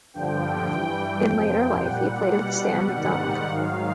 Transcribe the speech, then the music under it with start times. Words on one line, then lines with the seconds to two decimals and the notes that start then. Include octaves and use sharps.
In later life he played with Stan McDonald.
0.14 G2 D3 F3 G5
0.70 G2 E3 G3
1.26 F2 C3 F3
1.81 A#2 G3 F#5
2.36 B2 G3
2.92 G#2 D#3 G3 F#5
3.47 G#2 D#3 F#3 F5